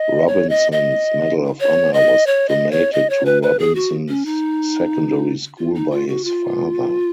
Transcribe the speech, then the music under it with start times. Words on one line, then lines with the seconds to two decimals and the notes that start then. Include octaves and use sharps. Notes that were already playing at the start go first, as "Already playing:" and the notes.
Robinson's Medal of Honor was donated to Robinson Secondary School by his father.
Already playing: D#5
0.28 C#5
0.49 D#5
0.72 D#5
1.60 C#5
1.93 D#5
2.27 C#5
2.49 D#5
2.71 C#5
2.93 D#5
3.10 C#5
3.25 B4
3.43 B4
3.59 G#4
3.75 F#4
4.08 C#4
4.25 D#4
5.58 F4
5.75 D#4
5.91 F4
6.08 F#4
6.24 F4